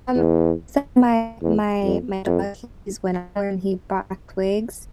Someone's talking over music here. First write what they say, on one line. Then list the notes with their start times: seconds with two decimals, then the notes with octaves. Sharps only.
Um, so my my my dog, he's went out and he ba twigs,
0.15 E2
1.41 E2
1.84 F2
2.26 F2